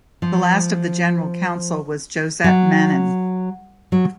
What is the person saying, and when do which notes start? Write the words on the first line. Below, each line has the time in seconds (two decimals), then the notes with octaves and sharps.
The last of the General Council was Josette Manin.
0.22 F3
2.44 F#3
3.92 F#3